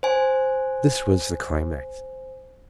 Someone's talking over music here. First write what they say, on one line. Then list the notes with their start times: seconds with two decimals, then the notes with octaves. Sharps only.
This was the climax.
0.03 C5 G#5